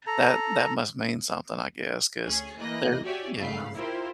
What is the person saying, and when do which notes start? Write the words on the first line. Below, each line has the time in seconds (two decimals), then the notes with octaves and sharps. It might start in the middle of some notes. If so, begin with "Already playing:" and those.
that that must mean something, I guess, 'cause they're Yeah.
0.07 A4 A#5
2.23 D2 C#4 G#4
2.58 E3 A#3 D#5 F#6 A#6
3.04 F#4 G4 C#5 D5 E5 G#5
3.37 G#1 C#3 A3 F5 B5 C7
3.75 E4 F4 G4 A#4 C5